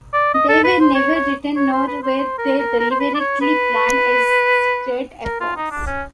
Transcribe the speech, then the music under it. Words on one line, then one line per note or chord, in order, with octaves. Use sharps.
They were never written; nor were they deliberately planned as great efforts.
D5
D#5
A4
B4
C5
C#5
C#5
C#5
C5
B4
C5
C5
A#4
A#4
A#4
C5
B4
D5
C#5
B4
A#4
F4
D#4
D4
C#4